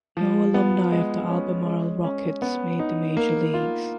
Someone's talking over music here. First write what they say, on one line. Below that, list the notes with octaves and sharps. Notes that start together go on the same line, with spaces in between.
No alumni of the Albemarle Rockets made the major leagues.
F3
B3
G#3
C#4
G#3
C#4
B3
D#4
A#3
F4